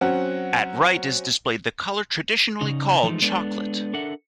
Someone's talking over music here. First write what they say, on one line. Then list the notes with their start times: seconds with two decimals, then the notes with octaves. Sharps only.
At right is displayed the color traditionally called "chocolate".
0.01 F#3 C4 C#4 F#5
2.61 C#3 C#4 D#4
3.03 E3 F3 G#3 A3 D#4
3.22 G#3 B3 D4 A4
3.93 D4 A4 A#4 E5 F#5